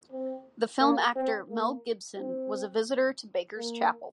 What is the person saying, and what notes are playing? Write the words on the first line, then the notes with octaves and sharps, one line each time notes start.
The film actor Mel Gibson was a visitor to Baker's chapel.
C4
A#3
C4
A#3
C4
A#3